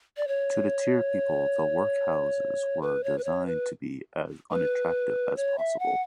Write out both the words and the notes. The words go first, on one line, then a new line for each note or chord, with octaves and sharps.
To deter people, the workhouses were designed to be as unattractive as possible.
D5
C#5
B4
C#5
B4
C#5
B4
B4
C#5
E5
F#5